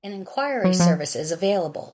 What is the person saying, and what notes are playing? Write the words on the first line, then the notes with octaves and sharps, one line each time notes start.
An Enquiry service is available.
F#3
F3